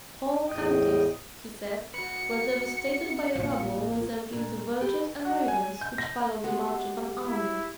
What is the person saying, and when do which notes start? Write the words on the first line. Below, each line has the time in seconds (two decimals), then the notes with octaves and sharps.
Whole counties, he said, were devastated by a rabble resembling the vultures and ravens which follow the march of an army.
0.48 E2 A2 D#5 G5
1.94 F#4 B4 C#7
3.36 A1 F2 A#2 F4
4.33 A#2 D4
4.81 G4 A4 B4
5.25 F#4
5.48 G#5
5.81 G6
5.98 A#6
6.44 G#3 B3 F#4 G4
7.28 E4